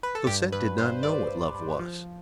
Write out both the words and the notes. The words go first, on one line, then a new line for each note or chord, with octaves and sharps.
Cosette did not know what love was.
B4
A4
G2 G4
G2 B4
G2 C5
G2 D5
G2
G2
F3